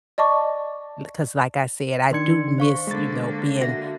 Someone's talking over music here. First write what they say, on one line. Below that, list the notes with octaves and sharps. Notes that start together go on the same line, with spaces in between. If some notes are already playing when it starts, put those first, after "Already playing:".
it, 'cause like I said, I do miss, you know, being
D5 D#5 A5 C#6 D6
D#3 D4 D#4 C6 G#6 C#7
C5 F5 C#6
D3 G#3 A#3 A6
F#4 E5 A#6